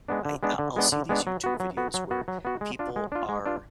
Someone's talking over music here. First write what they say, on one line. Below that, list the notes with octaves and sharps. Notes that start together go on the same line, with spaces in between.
I I'll I'll see these YouTube videos where people are
G#3 B3 D4
D3
G#3 B3 D4
D3
G#3 B3 D4
D3
G#3 B3 D4
F#3
B3 F#4
F#3
B3 F#4
F#3
B3 F#4
F#3
B3 F#4
G#3
D4 F4
G#3
D4 F4
G#3
D4 F4